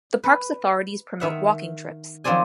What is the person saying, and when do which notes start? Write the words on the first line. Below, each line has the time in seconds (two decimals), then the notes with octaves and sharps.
The park's authorities promote walking trips.
0.24 B4
1.20 D#3 E5 F#5
2.24 D#3 F3 F#3 C4 D5 G#5